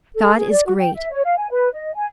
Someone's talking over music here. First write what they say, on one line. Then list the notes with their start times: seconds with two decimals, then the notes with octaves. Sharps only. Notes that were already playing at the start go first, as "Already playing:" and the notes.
God is great.
0.16 A4
0.38 G#4
0.51 D5
0.66 F#4
0.78 G5
0.94 E5
1.12 C#5
1.24 F5
1.38 G#5
1.51 B4
1.74 D#5
1.95 G#5